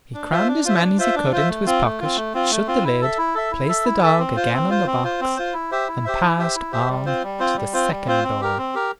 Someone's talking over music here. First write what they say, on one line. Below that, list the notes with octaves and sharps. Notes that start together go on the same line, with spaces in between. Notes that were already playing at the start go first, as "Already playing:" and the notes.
He crammed as many as he could into his pocket, shut the lid, placed the dog again on the box, and passed on to the second door.
D4
F4 C5 E5
D4
F4 C5 E5
D4
F4 C5 E5
D4
F4 C5 E5
A3
C4 F4
A3
C4 F4
A3
C4 F4
A3
C4 F4
E4
A4 E5
E4
A4 E5
E4
A4 E5
E4
A4 E5
C4
F4 C5
C4
F4 C5
C4
F4 C5
C4
F4 C5
E4
G4 C5 E5
E4
G4 C5 E5
E4
G4 C5 E5
E4
G4 C5 E5
G3
C4 F4 C5
G3
C4 F4 C5
G3
C4 F4 C5
G3
C4 F4 C5
C4
G4 A#4
C4
G4 A#4